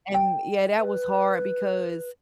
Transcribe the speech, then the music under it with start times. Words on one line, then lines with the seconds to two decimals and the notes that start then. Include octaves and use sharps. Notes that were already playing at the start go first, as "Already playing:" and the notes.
And yeah, that was hard because,
0.14 G5
0.78 B4